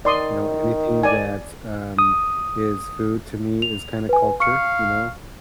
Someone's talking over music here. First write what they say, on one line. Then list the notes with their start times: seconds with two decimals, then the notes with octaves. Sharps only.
You know, anything that's, um is food to me is kinda culture, you know?
0.05 D#3 D5 C6 D#6
1.03 D5 G#5
1.99 D#6
3.62 F7
4.09 B4 G#5
4.40 F5 C#6 C#7